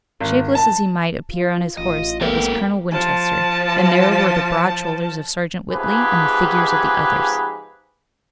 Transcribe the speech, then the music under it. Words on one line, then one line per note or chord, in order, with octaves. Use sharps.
Shapeless as he might appear on his horse that was Colonel Winchester, and there were the broad shoulders of Sergeant Whitley and the figures of the others.
G#1
A5
F4
A1 F4 D#5
A#3 B3 G4 A4 A#4
F3 A5
G#2 C3 F3 G4 G#4 B4